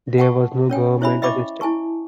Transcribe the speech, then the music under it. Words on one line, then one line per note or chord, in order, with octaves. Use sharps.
There was no government assistance.
F#5 G5 A5 C#6
C#4 C#5 G5 G#5
E4 C5 C#5 E5 G#5 B5
D#5 E5 G5 B5 C#6 D6
E4 G#5 A5 C#6